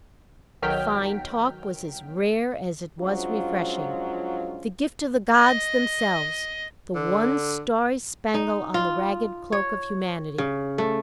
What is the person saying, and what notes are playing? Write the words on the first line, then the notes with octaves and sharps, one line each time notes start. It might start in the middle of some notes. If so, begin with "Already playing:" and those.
Fine talk was as rare as it was refreshing--the gift of the gods themselves, the one starry spangle on the ragged cloak of humanity.
B1 D#3 F#3 G5 F6 B6
F3 F#3 G#3 C#4 D4 F4
D#5
D3
D#4
F4
C#5
C#3
A3